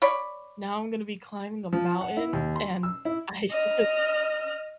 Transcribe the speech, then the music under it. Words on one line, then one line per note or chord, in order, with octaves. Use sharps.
now I'm gonna be climbing a mountain and I should"
C#5 D5 B5
F3
F#5
E4
D#2
C6
E6
E4
D#5 F6